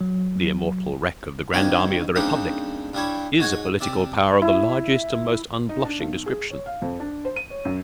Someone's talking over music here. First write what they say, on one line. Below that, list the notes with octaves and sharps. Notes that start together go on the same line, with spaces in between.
The immortal wreck of the Grand Army of the Republic is a political power of the largest and most unblushing description.
F#3
F2 D3 D#3 C4 G#5 C#6
F#2 C#3 A3 C4 D4 D#4
G2 G3 E4 C#5
G#2 F#4 C#5 G#5
C3 D5 E5
E4
D#4
D4
B1
G#4
C#5
F5
F2
D4
C5
D#7
C#5
F#2